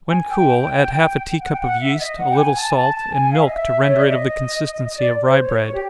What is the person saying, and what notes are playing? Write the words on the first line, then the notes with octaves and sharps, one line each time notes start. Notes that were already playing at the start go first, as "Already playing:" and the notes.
When cool, add half a tea-cup of yeast, a little salt, and milk to render it of the consistency of rye bread.
G#5
G5
F#5
G5
F#5
E5
D#5
F#5
G5
G#5
A5
G#5
A5
A5
A5
G#5
F5
E5
D#5
E5
C#5
D5
D#5
D#5
D5
C5
C#5
C#5
G4